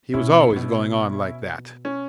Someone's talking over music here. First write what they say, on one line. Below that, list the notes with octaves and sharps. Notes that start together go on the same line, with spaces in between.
He was always going on like that.
B2 C#4 E4
A2
B2
C#4